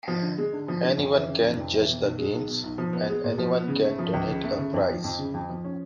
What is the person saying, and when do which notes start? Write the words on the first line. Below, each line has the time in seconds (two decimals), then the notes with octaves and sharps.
Anyone can judge the games, and anyone can donate a prize.
0.08 F3
0.22 D3
0.38 G#3
0.53 D3
0.68 F3
0.83 D3
0.98 F2
1.13 E3
1.28 C#3
1.43 F1
1.57 F2
1.74 E3
1.88 B2
2.03 B1
2.18 G#3
2.33 B1
2.48 B2
2.64 B1
2.78 F3
2.93 B3
3.09 G#3
3.24 A#2
3.38 F3
3.54 B3
3.68 C#3
3.84 A3
3.99 F3
4.13 C#2
4.29 C#3
4.44 A3
4.59 C#3
4.74 F2
4.89 F3
5.04 F2
5.19 C#3
5.34 F2
5.49 F3
5.64 C#4